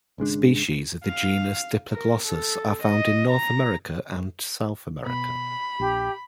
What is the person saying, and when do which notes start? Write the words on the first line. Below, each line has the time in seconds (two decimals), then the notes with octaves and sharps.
Species of the genus "Diploglossus" are found in North America and South America.
0.18 G#1 C#3 G#3 D4
1.05 F5
1.92 A#4
2.27 A4
2.83 D#5
3.30 A#5
5.06 B2 B5
5.80 A#1 G4